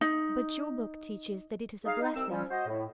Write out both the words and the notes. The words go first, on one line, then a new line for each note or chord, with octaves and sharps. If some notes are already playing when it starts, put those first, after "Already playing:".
But your book teaches that it is a blessing.
D#4
D#4 G#4 F5
D#4
C2 C4 E6
F3 G3 C#4
F#4 C5 D#5
A2